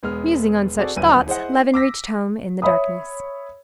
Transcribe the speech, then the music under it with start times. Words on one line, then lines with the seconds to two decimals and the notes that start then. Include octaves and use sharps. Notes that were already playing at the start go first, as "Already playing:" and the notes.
Musing on such thoughts Levin reached home in the darkness.
0.03 E1 G#3 B3 F6
0.78 C4 F#4 G#4 A4 D5
0.96 D#1 D2 F#3 B4 E5 D#7
1.27 E4 G#4 C5 D#5 F#5
1.74 D6 E6 A#6 B6
2.62 C#5 E5 B5 D#6